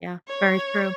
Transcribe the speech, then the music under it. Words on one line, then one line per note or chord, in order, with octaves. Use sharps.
Yeah, very true.
C#5